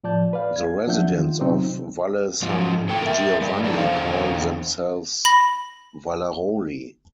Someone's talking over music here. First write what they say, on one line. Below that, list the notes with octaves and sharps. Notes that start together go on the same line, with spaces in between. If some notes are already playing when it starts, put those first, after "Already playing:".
The residents of Valle San Giovanni call themselves "Vallaroli".
A2 F3 D5 A5 G6
B4 D5 F5
G#6
F3 F#3 D4 E5 F#5 G6
D#3 F4
C3 F#3 C4 D#4
G#2 F3
A2 A4 G5
A#4 E5
G3 B4 D5
F3 D4 D#4 A4
E2 D3 C5 F5
B5 A#6